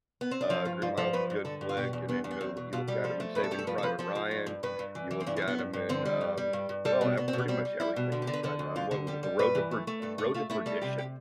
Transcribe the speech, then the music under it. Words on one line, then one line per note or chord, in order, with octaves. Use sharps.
Uh, Green Mile is a good flick, and then, you know, l you look at him in Saving Private Ryan, you look at him in, um, well, eh, pretty much everything he's done, um, what was it? The Road to Per Road to Perdition.
B3
C4
D4
F3 E4
G2 F4
G2 F4
F3 A4
G2 B4
G2
D3 A4
G2
F4
B2 G4
E2
E2 B3
E2
B3
E2 C4
B2
B2 F4
G3 G4
F3 A4
A3
G2 B4
A4
A3 G4
A4
F3 B4
A4
F3 B4
F3 A4
F3
G2
G2
G2 B4
G2
E3
E3
C4
G2 D4
C4
G2
B3
G2
G2
D3 C4
G3
G2
G3
G2
G2
G3 A4
B2 C4
B2 B3
C4
B2
B3
G3 C4
G3
G3 E4
B2
D3 E4
G4
D3
B4
D3 A4
D2
D2 F4
D3
G3 G4
G3
G2 B4
E3
A3
A3
G2 A4
A3
A3 F4
A3 E4
G3 A4
C3 G4
G4